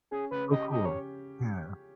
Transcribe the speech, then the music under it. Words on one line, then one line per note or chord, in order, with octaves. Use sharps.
Oh, cool, yeah,
C#4 G#4
C#3 B4
G4 D#5
G4 D#5
C#4 C#5